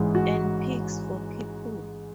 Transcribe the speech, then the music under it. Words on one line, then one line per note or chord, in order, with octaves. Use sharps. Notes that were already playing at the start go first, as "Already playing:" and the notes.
And pigs for people.
Already playing: A1 G#2 E3 G#3
F#4